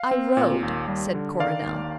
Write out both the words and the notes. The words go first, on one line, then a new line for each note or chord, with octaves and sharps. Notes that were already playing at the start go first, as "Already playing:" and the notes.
"I rode," said Coronel.
Already playing: F5
C4
A#2
D#2
G3
D3
D#3 D5 F5
D#2